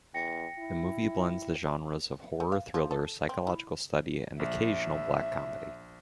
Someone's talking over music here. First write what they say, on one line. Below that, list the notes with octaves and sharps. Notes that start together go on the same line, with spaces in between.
The movie blends the genres of horror, thriller, psychological study, and occasional black comedy.
E2 G5 A#6 C#7
E4
A3
F5
F3
A4
C4
E4
A#1 E5